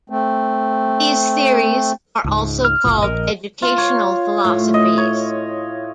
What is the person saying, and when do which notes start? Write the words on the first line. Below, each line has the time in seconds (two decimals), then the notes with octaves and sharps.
These theories are also called educational philosophies.
0.10 A3 C4
2.24 C#2 G#2
2.65 F6
2.84 F#1 C2 A#2
3.03 A#1 A#4 D#5
3.62 F4
3.78 C#5
4.45 A2
4.74 D#5
4.98 C#5